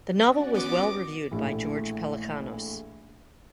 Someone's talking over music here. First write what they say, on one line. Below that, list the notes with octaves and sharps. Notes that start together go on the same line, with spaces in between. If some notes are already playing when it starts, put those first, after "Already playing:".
The novel was well-reviewed by George Pelecanos.
C#4 F#4 D5
B3 D6 A#6
A#1 A2 E3